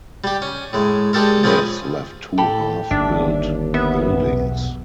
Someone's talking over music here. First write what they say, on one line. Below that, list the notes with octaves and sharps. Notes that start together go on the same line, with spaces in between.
This left two half built buildings.
G3 G4
C#4
A2 G#3
G#3 D4 G4 A4 A#4
F3 C4 C#4 G#4 B4
A2 G4 A4 B5
G1 D#2 D4 E5
B3 E5
B1 E2